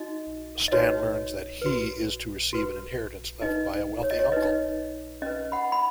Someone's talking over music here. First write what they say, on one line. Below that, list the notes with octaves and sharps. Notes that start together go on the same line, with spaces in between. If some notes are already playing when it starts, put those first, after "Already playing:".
Stan learns that he is to receive an inheritance left by a wealthy uncle.
Already playing: D#4 F#4 D#5
D#5
D#4 F#4 B4 C#5
F#4 B4
F#4 B4
D#4 B4 D#5
C#5
D#5
C#5
D#4 B4 D#5
C#4 B4 D#5
F#5 B5
B5